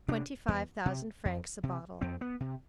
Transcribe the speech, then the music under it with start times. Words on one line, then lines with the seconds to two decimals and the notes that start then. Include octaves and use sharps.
"Twenty-five thousand francs a bottle."
0.08 C3 D4
0.48 E2
0.86 C3
1.25 F2
1.63 C3
2.01 F2 C4
2.21 B3
2.40 C3